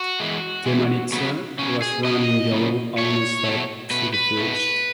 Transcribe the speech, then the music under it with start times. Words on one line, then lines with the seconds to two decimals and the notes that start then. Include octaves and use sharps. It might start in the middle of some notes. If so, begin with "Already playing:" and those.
The Maritza was running yellow almost up to the bridge.
Already playing: F#4
0.20 E2 C#3 E3 G#3
0.66 E2 C#3 E3 G#3
1.13 C#3 F#3 B3
1.59 C#3 F#3 B3 C#4
1.82 G#4
2.05 C#3 F#3 B3 D#5
2.52 C#3 F#3 B3
2.98 B2 A3 C#5
3.44 B2 A3
3.91 B2 A3 B4
4.14 B4
4.37 B2 A3